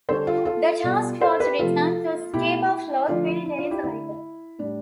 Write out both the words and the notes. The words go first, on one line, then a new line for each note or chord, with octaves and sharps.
The Task Force returned to Scapa Flow three days later.
D3 G3 A4 C5
F4 A4
F4 A4
B2 G3
A4 C5
G4 B4
C3 F3 A3 F4 A4
B2 A3 E4 G4
D3 F3 A3 D4 F4
E4
E4
D4 F4
E4 G4
D3 A3 E4
A2 G3 D4